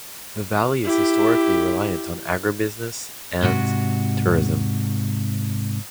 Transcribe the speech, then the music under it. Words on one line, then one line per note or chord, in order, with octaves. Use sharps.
The Valley is historically reliant on agribusiness and tourism.
E4 G4
G#2 C3 F#4